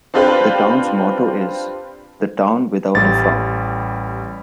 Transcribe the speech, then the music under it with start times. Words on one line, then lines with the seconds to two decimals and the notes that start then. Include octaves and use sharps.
The town's motto is "The Town Without A Frown".
0.14 C4 D4 F4 G4 B4 C5
2.94 A1 G3 A6